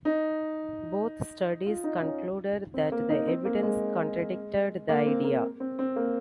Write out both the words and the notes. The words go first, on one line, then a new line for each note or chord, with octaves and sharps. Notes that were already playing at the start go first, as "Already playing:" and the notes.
Both studies concluded that the evidence contradicted the idea.
D#4
F4
D#4
C#4
C4
A#3
D#4
C4
A#3
G#3
A#3
C4
A#3
C4
C4
A#3